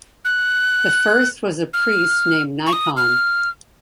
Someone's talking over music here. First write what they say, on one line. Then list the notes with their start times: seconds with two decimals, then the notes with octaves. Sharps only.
The first was a priest named Nikon.
0.25 F#6
1.73 F6
2.66 C#6
2.73 D#6
2.97 F6